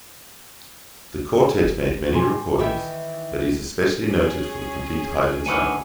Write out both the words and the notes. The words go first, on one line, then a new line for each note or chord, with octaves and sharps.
The Quartet made many recordings, but is especially noted for the complete Haydn cycle.
G1
C3 G4 G#5 C6
D#3 E3 E5 G5
C#4 G#4
D2 D#3 E3 D4 F#5 G#5